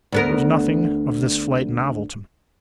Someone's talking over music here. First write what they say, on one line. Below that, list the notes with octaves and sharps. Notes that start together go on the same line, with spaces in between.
There was nothing of this flight novel to me.
D2 B3 A#4